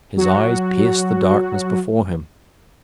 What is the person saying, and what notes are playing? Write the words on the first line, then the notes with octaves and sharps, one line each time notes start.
His eyes pierced the darkness before him.
F#3 F#4